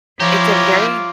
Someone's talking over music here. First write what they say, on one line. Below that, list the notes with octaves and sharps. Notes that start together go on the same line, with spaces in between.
it's a very
F3 E4 F4 G4 C#5 A#5 D6